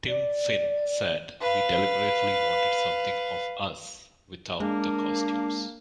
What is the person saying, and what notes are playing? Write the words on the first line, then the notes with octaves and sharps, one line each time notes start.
Tim Finn said, We deliberately wanted something of us without the costumes.
D5
B4 F5
G#3 A#3 D4